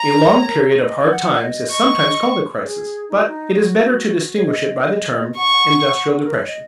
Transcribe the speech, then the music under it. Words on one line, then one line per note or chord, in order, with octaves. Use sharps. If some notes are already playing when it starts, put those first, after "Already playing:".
A long period of hard times is sometimes called a crisis, but it is better to distinguish it by the term industrial depression.
Already playing: A#5
A#4
C#5
A#4
C#5
C#5
D#5
F#5
F#5
D#5
D#5 C#6
F#5
D#5
G#4
D#4
F#4
D#4
F#4
C#5
D#5
F#5 C#6
F#5
A#4
C#5
D#5